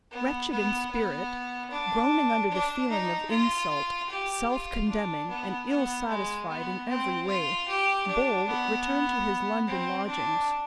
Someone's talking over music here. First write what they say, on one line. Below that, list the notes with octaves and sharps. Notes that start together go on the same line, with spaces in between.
Wretched in spirit, groaning under the feeling of insult, self-condemning, and ill-satisfied in every way, Bold returned to his London lodgings.
B3
B3
B3
D4
D4
D#4
F4
G4
F4
D4
B3
B3
G#3
B3
C4
F4
G4
D4
B3
C4
D4